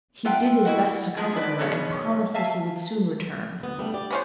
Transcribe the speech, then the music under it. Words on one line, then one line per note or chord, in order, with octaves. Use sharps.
He did his best to comfort her and promised that he would soon return.
F4 A4 B4 E5 F#5 G5
E4 F#4 D#5 F#5
G#3 B3 D4 F4 G#4
D#4 B4 D5
B2 D#3 F#3 G#3 B3 C#4
E5 F5 G#5 A5
D2 B3
G3 A3 D4
G4 D5
B3 C#4 C5